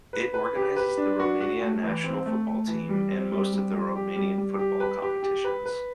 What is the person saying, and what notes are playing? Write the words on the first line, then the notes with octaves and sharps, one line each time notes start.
It organizes the Romania national football team and most of the Romanian football competitions.
B4
B4
G4
B4
D4
F#4
F#4
A3
E3
C4
A3
A3
E3
G3
C4
G3
G3
G3
G4
G3
G3
G4
B4
G4
G4
B4
B4